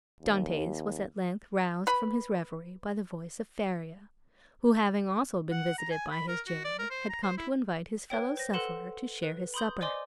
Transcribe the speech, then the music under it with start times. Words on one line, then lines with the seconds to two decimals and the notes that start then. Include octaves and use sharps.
Dantes was at length roused from his revery by the voice of Faria, who, having also been visited by his jailer, had come to invite his fellow-sufferer to share his supper.
0.22 D#2
1.87 B4 B5
5.52 F#5
5.78 A#5
5.91 G#5
6.12 B5
6.28 A#4
6.47 F#4
6.65 D5
6.79 A#4
6.91 C5
7.09 A#5
7.23 C5
7.38 E4
8.10 B4 C#5 G5
8.37 C5 A#6
8.53 A4 B4 F#5 C6 E7
9.23 B4
9.54 B5 C6 D#6 G6
9.81 C5 D5 D#5 G#5 C6 D6